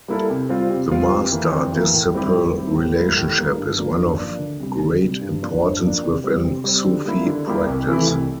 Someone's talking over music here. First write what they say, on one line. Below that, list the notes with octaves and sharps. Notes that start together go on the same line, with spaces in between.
The master-disciple relationship is one of great importance within Sufi practice.
G3 A#3 E4 A4
C3
G3 C4 F4
C3
G3 C4 F4
F2
E3 A#3
F2
E3 A#3
A2
G3 C4 E4 G4
A2
G3 C4 E4 G4
A2
G3 A#3 E4
A2
G3 A#3 E4
G2
F3 A#3 D4
G2
F3 A#3 D4
D2
C3 G3
D2
C3 G3
G2
F3 A#3 D4
G2
F3 A#3 D4
C3
G3 C4
C3
G3 C4
D3
G3 A#3 E4 G4
D3
G3 A#3 E4 G4
C2
C3 E3 A3 E4
C2